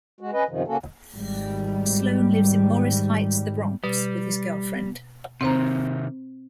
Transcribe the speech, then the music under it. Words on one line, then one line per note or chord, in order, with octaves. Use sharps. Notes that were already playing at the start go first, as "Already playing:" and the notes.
Sloan lives in Morris Heights, the Bronx with his girlfriend.
G#3 F#4
C#4 B4 D#5
F#2 C3 D#3 F3
C#3 A#3 C#4 F#4 A4
G#1 G3
B2 G3
C3 D#3 C4 C5 A#5